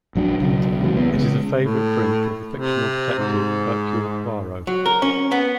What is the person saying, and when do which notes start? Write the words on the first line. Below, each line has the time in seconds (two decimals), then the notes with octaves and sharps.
It is a favourite drink of the fictional detective Hercule Poirot.
0.15 A#1 F#3 D4
0.40 B1 C#3 F#3
0.83 C3 E3 F#3 G#3
0.96 E3 B3
1.14 C#3 G#3
1.63 A2
2.56 C3
3.19 G#2
4.67 F#3
4.86 A#4
5.02 C#4
5.32 B3